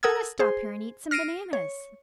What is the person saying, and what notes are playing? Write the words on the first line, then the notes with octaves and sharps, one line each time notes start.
Let us stop here and eat some bananas.
A4 A#4 F#5 D#6 E6 G#6
G#4 C5
F6 A#6 C7 D7 D#7
C#5